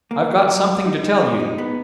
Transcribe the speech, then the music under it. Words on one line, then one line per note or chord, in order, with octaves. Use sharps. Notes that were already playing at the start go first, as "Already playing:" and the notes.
"I've got something to tell you."
A#3
F#3
F#3
G#2
D#4
D#4
G#3
D#4
B3